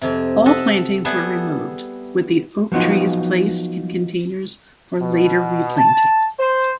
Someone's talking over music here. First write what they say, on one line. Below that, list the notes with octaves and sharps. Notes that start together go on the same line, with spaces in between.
All plantings were removed, with the oak trees placed in containers for later replanting.
F2 C3
A4 D#5 E5 F#5
G3 B3 G#4 A4 E5 F#5
F3 F#3 B3 D#4 F4
B2
A5
C5